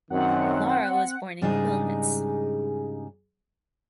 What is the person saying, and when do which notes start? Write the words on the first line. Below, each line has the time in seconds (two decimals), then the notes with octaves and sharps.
Lara was born in Quilmes.
0.10 F#2 D#3 C4 F#5
1.41 G#2 C#3 G3 D4 D#4 G#4